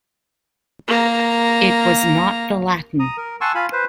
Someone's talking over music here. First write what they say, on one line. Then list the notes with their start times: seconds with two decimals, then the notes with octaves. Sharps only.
It was not the Latin.
0.88 A#3 A#5
3.00 A#5 D#6
3.18 A#4
3.41 F#5 G#5 A5 C6 C#6 E6
3.55 F4 F5 G#5 B5
3.72 B4 C5